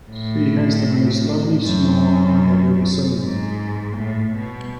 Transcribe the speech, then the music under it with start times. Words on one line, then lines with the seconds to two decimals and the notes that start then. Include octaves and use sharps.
She has the most lovely smile I have ever seen.
0.10 A2
1.64 F#2
3.19 G#2
3.96 A2
4.34 B2